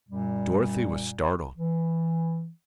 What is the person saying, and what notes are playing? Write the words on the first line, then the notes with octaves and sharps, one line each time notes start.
Dorothy was startled.
F#2 A#2 G3
E3